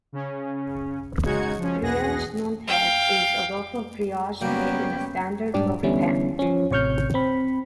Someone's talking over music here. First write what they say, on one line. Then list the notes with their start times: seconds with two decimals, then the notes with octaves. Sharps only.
"Brioche Nanterre" is a loaf of brioche made in a standard loaf pan.
0.12 C#3 C#4
1.24 C#3 G#3 D#4 F#4 G#6 C#7
1.58 F3 C#4
1.81 B1 E2 B2 G#4 F#5 A#6
2.67 F5 G5
4.41 C#3 F#3 G3 A#3 B3 C#4 G5
5.54 G#2 G3 D4 G4 D5
5.83 D3 E3 G3 B3 C#4 E4
6.39 F3 C#4
6.71 A1 C3 C#5 C#6 F6 G6
7.14 C4 B5